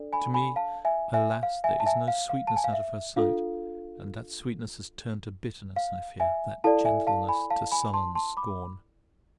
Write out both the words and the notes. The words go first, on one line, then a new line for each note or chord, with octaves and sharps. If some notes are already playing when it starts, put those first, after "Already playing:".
To me, alas! there is no sweetness out of her sight, and that sweetness has turned to bitterness, I fear; that gentleness to sullen scorn!
Already playing: D4 A4 D5
G#5 B5
G#5 B5
F5 A5
E5 G#5
E5 G#5
F5
E5 G#5
A5
E5 G#5
F5
F5
A5
G#5
F5
E5
D4 F4 A4 F5
F5
E5 G#5
E4 A4 D5 F5 A5
E5 G#5
F5 A5
G#5 B5
F5 A5
G#5 B5
A5 C6
A5 C6
B5 D6